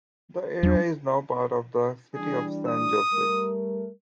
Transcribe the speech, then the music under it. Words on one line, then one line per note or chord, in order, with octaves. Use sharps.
The area is now part of the city of San Jose.
E2 F#3 D4
E3 G3 D4 G#4
D#6
G3 A3 A#4